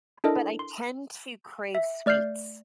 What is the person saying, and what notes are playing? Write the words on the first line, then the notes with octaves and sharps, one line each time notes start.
but I tend to crave sweets.
D4 E4 A4 A#4 D#5
C6
E5
A3 D5 F6 G6 C7